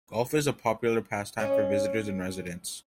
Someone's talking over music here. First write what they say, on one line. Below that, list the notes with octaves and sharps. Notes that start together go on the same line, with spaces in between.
Golf is a popular pastime for visitors and residents.
C#4 D#5